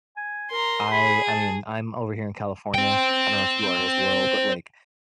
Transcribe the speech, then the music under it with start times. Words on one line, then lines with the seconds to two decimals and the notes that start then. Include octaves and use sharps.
I I mean, I'm over here in California- I don't know if you are as well, but, like,
0.17 G#5
0.51 A#4 A#5 C6
0.91 G#4 B5
1.28 A5
2.74 C5 G5